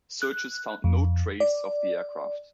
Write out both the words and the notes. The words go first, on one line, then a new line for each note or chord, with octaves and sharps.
Searches found no trace of the aircraft.
F#6
F2
D5